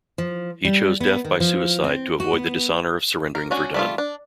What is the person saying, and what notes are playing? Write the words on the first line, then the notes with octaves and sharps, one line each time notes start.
He chose death by suicide to avoid the dishonor of surrendering Verdun.
F3
G3
B3
D#3
F3
C4
F#4
B3
A#4
C#4 D4 F#4
G3 A3 F4
D4